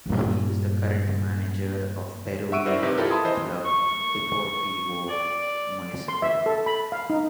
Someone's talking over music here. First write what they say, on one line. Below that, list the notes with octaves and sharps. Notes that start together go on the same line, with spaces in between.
He is the current manager of Peruvian club Deportivo Municipal.
G2 A#2
E5 F#5 C#6 E6 D7 D#7
E4 A#4 C5 D5 E5
A1 C3 D#4 B4 E5
E4 F4 G4 A4 A#4
A5 B5 C6 D#6 G#6
E3 C5 D#5
C#6
D5
C6
E5
A4
B5
F5
D#4